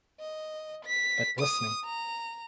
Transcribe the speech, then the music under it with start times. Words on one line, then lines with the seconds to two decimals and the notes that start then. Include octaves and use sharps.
But listening.
0.20 D#5
0.85 B6
1.40 D#6
1.85 A#5